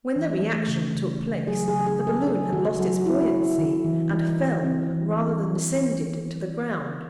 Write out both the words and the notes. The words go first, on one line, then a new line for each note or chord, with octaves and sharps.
When the re-action took place, the balloon had lost its buoyancy, and fell, rather than descended, to the ground.
E3
A3
C#3
C#3
A3
F#3 G#4
G#4
C#3
G#4
C#3
A4
D#4 G#4
D#3 F#4
F#3 F#4
F#4
F#3 E4
C4
D#3
E3
D#4
D#4
C4
E3